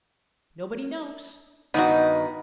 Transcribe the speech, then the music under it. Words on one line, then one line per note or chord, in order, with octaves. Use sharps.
"Nobody knows."
G2 D#3 B3 D#4 F#4